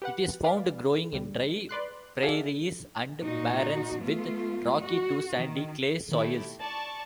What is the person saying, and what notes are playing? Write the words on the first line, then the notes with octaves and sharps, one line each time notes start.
It is found growing in dry prairies and barrens with rocky to sandy-clay soils.
G4 B4 F#5
B4 D5 F5
D2 G3
B4 D5 C6 F#6
F#4 G#4 A4 D5 E5 F5
A#2 D#4 F#4
A3 B3 F4
F#4
D#3
D#3 A3 E4 G4
D5 A5 C#6